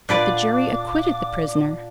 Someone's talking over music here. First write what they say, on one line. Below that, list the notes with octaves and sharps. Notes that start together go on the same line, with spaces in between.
But the jury acquitted the prisoner.
A#2 D4 F4 B4 D5 F#5 D6